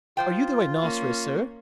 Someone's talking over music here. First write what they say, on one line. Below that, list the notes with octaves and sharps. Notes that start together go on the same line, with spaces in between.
"Are you the rhinoceros, sir?"
F3 F4 C5 G5
A#3 C#4